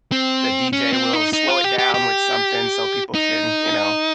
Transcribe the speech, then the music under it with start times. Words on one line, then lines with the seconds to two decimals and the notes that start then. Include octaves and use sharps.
the DJ will slow it down with something so people can, you know,
0.12 C4
0.73 C#4
0.93 C4
1.13 D#4
1.33 D#4
1.48 F4
1.64 G4
1.78 G4
1.94 G4
3.15 D#4